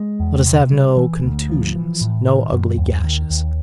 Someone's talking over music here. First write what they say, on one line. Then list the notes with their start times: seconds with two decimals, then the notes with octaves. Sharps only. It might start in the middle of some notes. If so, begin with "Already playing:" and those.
Let us have no contusions, no ugly gashes.
Already playing: G#3
0.20 E2
0.45 C3
0.72 G3
0.97 E3
1.24 D2
1.50 F3
1.75 E3
2.01 A2
2.27 D#3
2.52 F#2
2.78 D#2
3.04 D#3
3.30 D#2